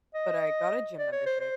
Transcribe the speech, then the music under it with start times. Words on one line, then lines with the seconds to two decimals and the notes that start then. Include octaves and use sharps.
But I got a gym membership.
0.15 D#5
0.99 D5
1.12 C#5
1.26 C5
1.40 C5